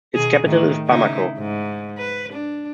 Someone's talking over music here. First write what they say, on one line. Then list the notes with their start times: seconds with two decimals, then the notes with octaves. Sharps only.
Its capital is Bamako.
0.14 B2 D#3 G#4
0.44 A2 D#3
0.87 C#3 D#4 E4
1.38 G#2
1.97 B4
2.32 D4